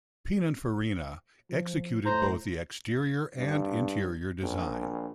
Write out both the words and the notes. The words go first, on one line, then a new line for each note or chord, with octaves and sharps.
Pininfarina executed both the exterior and interior design.
F3
A2 C5 A#5
G2
A#1